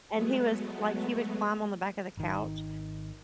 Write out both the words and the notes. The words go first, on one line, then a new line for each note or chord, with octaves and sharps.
And he was like, he would climb on the back of the couch,
F#3 G#3 A3 B3
G#1 D#3